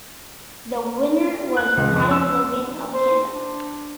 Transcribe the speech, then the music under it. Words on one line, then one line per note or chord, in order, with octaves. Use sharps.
The winner was Adam Logan of Canada.
F#6
C#2
F2
E6
C5
D4